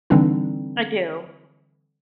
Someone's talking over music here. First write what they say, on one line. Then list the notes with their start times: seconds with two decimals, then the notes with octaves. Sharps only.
I do.
0.10 D3 E3 G3 C4 D4 D#4